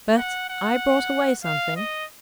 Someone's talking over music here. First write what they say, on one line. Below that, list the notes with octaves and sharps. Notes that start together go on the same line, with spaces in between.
But I brought away something.'
F#5
F#5
F5
D#5